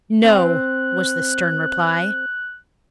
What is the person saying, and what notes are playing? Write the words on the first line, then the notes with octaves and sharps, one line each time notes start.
"No," was the stern reply.
C4 F#6